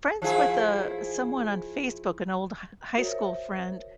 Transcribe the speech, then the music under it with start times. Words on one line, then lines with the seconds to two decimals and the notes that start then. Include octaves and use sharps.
friends with, uh, someone on Facebook, an old h high school friend
0.22 F3 E4 G#4
2.98 F#4 A#4 C5 C#5 E5